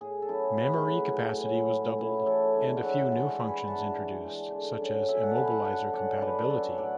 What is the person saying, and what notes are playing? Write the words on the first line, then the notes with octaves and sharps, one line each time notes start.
Memory capacity was doubled and a few new functions introduced such as immobilizer compatibility.
A2 G#4
A4
F#3 C#4 E4 G#4
A2 G#4 B4
F#3 C#4 E4
A2
F#3 C#4 E4
A2
F#3 C#4 E4
E3 A4 C#5
G#3 D4
F#5
E3 C#5 E5
G#3 D4 F#5 A5
E3 G#5 B5
G#3 D4 F#5 A5
E3
G#3 D4
D3
F#3 C#4
D3 E5 G#5
F#5 A5
F#3 C#4 G#5 B5
F#5 A5
D3 F#5 A5
F#3 C#4 D5 F#5
D3 B4 D5
F#3 C#4 A4 C#5
A2 D5 F#5